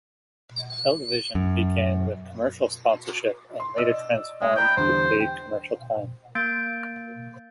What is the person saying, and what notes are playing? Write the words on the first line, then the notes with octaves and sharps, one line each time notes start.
Television began with commercial sponsorship and later transformed to paid commercial time.
F#2
C6
D5 D#5 E6
G#3 E5
D5 G5 A#5 B5
E2 D3 G3 C5
G5
A#3 G6 A6 D7